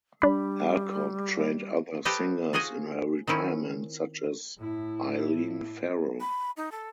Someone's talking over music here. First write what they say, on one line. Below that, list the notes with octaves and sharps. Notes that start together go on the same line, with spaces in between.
Alcock trained other singers in her retirement such as Eileen Farrell.
G3 D4 B5
G4 A4 B4 C5 D#5
F4 F#4 G#4 D#5 G#5
D#3 C4 C#4 E4
A2 E4
B5
D#4
A4